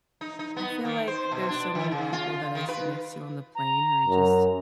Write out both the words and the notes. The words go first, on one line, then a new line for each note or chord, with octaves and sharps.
I feel like there's so many people that I sit next to on the plane who are just
D#4
D#4
B3
D#3
C5
B2
D4
D#3
C#3
F4
D#3
B4
A#5
F#2